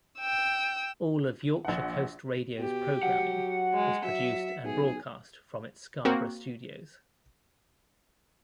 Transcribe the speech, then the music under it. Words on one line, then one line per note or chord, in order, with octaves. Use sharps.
All of Yorkshire Coast Radio's programming is produced and broadcast from its Scarborough studios.
G5 E6
A#1 F#5
B2 G4
F#3 F#5
G#3
F#3 E5
B1 G#4
A#3 C4 F#4